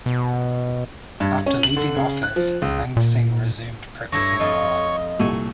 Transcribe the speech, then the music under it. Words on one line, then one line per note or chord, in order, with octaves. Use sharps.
After leaving office Lansing resumed practicing law.
B2
G2
C#4
F#7
D3
C#3
F#6
F3
C#2
A#2
G2 A3 E4 C#5 A#6
F2 F4 D#5
C2 A#2 A3 G#5 C#6